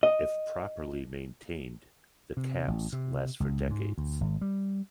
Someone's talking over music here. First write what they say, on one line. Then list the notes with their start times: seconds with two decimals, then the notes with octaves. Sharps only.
If properly maintained, the caps last for decades.
0.03 D#5
2.37 C3
2.68 A1
2.93 C3
3.40 C#2
3.70 G#2
3.98 D2
4.21 G#1
4.41 G3